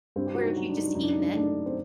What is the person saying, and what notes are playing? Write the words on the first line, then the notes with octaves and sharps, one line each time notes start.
where if you'd just eaten it
G2 C4
G4
F#4
D#4
F#3
D4
D#4
D4
F#2 D#4
D4
D#4
D4
D#4
A3 D4
C4